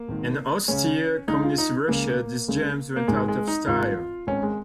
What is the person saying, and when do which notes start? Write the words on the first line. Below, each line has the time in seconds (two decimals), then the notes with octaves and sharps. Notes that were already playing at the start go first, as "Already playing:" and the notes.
In austere Communist Russia, these gems went out of style.
Already playing: A#3
0.08 G#1 G#2 D#3
0.68 C#2 C#3 C#4
1.28 C#2 C#3 D#4
1.44 F4
1.58 D#4
1.88 C#2 C#3 A#3
2.48 C#2 C#3
2.96 A#3
3.08 G#1 G#2 D#3 G#3
3.28 G#3
3.48 D#4
3.67 G#1 G#2 D#3 F4
4.27 G#1 G#2 D#3 C#4
4.43 G#3